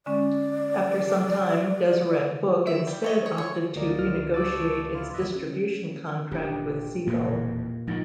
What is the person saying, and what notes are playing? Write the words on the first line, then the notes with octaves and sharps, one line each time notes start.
After some time, Deseret Book instead opted to renegotiate its distribution contract with Seagull.
D3 G#3 C#4 D5
E5
G3
C#5 D#5
C#5
C#5
D2 D#3 A#3 A#4 D5 D#5
C#2 D3 F3 F6
A3 G4 A4 C#5 D6 A6
E4 F4
F#1 D#2 B4 D#5 E5
C#4
D#1 D4 G4
E1 F2 A#2 A#3 B3
G#2 D#3 F3 D#4